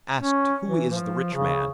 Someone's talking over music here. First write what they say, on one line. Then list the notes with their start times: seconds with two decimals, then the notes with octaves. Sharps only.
Asked, Who is the rich man?
0.19 C#4
0.66 E3
0.91 F3
1.34 C#3